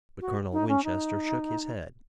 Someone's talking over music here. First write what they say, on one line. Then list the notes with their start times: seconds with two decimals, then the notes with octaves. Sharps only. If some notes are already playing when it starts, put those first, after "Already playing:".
But Colonel Winchester shook his head.
0.21 F#4
0.53 D#4
0.68 C#4
0.84 D#4